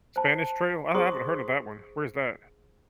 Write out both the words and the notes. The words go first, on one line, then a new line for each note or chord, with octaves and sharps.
Spanish Trail? I haven't heard of that one. Where is that?
C5 A5
G#4 C5 C6 C#6 D#6